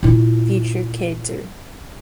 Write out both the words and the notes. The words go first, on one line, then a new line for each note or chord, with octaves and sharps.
future kids, or
A#2 E4